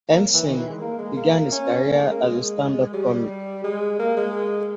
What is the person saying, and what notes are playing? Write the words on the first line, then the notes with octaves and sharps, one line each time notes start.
Henson began his career as a stand-up comic.
A#3
E3
D#3
E3
G#3
A#3
G#3
A#3
C#4
A#3
G#3
A#3
G#3
G3
G#3
A#3
G#3